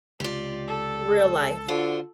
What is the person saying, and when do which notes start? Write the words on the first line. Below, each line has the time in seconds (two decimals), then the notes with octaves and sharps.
Real life.
0.20 C#2 C3 F4 G4 D5
0.67 A4
1.68 D3 F4 F#4 C5